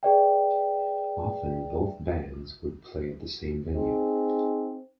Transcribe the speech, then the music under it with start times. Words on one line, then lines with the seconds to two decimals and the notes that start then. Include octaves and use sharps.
Often, both bands would play at the same venue.
0.03 G#4 B4 D5 E5 G5
3.75 C4 D#4 G#4